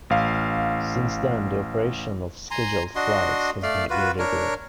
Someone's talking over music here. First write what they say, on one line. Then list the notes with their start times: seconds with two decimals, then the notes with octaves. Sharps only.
Since then the operation of scheduled flights has been irregular.
0.10 A1 F5
2.51 G#5 A#5 C6
2.96 D4 F#4 D#5 C6
3.63 A3 D5 F5
3.90 F4 F#4 B4
4.19 D4 A#4 C#5